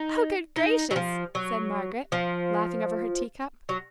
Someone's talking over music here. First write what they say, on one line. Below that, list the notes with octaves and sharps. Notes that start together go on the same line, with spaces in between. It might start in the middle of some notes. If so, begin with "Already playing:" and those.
"Oh, good gracious!" said Margaret, laughing over her teacup.
Already playing: D#4
D#4
F#3
F3
F#3
F3
F#3